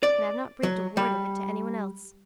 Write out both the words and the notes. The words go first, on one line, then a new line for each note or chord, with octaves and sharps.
And I've not breathed a word of it to any one else.
D5
F#3
G3